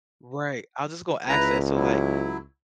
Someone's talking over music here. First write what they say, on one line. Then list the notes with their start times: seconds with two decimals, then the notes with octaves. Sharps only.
Right, I was just gonna axe that, so, like,
1.28 C#2 E4 B4 A#5
1.75 F#3 E4